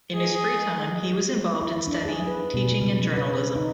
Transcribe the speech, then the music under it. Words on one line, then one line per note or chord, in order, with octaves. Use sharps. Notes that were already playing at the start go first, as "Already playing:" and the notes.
In his free time he was involved in study, teaching and journalism.
G#4 D#5
E4
D4
G#4
B4
B2
C#3
B4
D#4